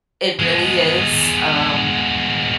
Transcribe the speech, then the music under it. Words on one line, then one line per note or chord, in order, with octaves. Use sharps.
it really is, um,
G#3 B3